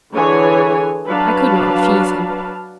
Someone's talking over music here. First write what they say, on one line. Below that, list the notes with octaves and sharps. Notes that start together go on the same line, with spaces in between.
I could not refuse him.
D3 E3 G#4 C#5 G#5
F#3 D4 B4 F5 A5